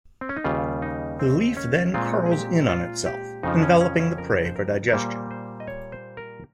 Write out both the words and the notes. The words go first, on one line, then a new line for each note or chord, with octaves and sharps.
The leaf then curls in on itself, enveloping the prey for digestion.
C4
C#4
D#4
D#2 C#3 G3 F4
D#4
C4
C#4
A#2 G#3 C4 F4
G#4
G4
F4
G4
F2 C#3 F3 D#4
C#4
C#4
C#4
A#4
C#5
C5
A#4
A#4
A#2 G3 A#3 C5
C5
D#5
C#5
C5
A#4